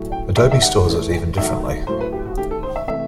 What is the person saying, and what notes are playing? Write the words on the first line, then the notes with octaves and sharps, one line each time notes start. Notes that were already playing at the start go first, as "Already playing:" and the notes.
Adobe stores it even differently.
Already playing: A2 F#3 A3
G5
D#3 G3 E5
E5
F#5
A2 E3 A3
D#3 F#3 A3 E5
A2 F#3 A3 C5
B4
G4
F#4
D#3 A3 G4
A4
C5
E5
C3 E3 A3 E5